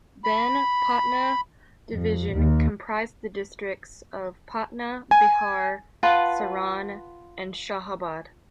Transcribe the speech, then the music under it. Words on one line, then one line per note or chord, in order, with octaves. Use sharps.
Then Patna division comprised the districts of Patna, Bihar, Saran and Shahabad.
B5
F2
D#2
G#5
F4 B4 F#5 A5